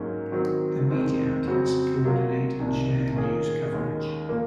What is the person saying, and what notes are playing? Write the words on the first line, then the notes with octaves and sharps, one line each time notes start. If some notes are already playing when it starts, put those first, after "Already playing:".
The media outlets coordinate and share news coverage.
Already playing: G#2 F#3 A#3 C#4
D#3 F#3 C4 F#4
F2 D#3 G#3 C4
F2 C#3 F#3 C4 F#4
C3 F#3 A#3 F4
C2 C3 D#3
D#3 A#3 C#4 G#4
D#2 D#3 G#3 C#4
A#2 F3 A#3